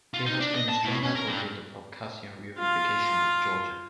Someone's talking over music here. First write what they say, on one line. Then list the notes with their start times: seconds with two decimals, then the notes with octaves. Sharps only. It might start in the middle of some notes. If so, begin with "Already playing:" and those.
He has been a strong advocate of Abkhazian reunification with Georgia.
0.14 F4
0.26 D#4
0.40 D4
0.54 D#5
0.69 A5
0.84 A2
1.03 C#4
1.15 A#4
1.28 G2
2.58 F4 F5